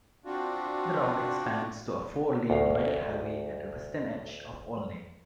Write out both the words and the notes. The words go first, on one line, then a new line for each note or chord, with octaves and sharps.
The route expands to a four-lane divided highway at the western edge of Olney.
C4 D4 F4 F#4
D2 F5